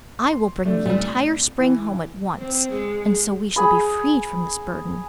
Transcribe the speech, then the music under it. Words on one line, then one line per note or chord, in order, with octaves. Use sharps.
I will bring the entire spring home at once, and so we shall be freed from this burden.'
C6
C3 A3 D4
A#2 G3
E3
C4
G#3
G#4 B5